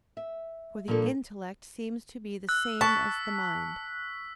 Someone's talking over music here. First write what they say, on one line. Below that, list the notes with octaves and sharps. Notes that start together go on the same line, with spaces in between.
For the intellect seems to be the same as the mind.
E5
A#2 F3 G3 A#3 D4 A4
E6 F#6
A5 C#6 B6